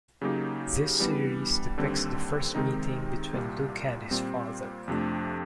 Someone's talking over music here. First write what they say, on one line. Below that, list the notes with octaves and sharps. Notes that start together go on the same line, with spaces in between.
This series depicts the first meeting between Luke and his father.
C#3 F#3 A#3 D#4 G4
E3 G3 B3 D4
D#2 D3 G3 C4
C3 D#3 G#3 C4 D#4
C2 A#2 G3
A#2 G3 C4
F2 C3 F3 A3 D4